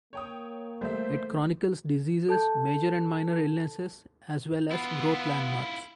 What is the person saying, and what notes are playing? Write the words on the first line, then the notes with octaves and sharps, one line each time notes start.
It chronicles diseases, major and minor illnesses, as well as growth landmarks.
A#3 C#5 G5 D#6
E3 G3 A3 A4 C5 E5
A4 A5 G6
B3 E4 F4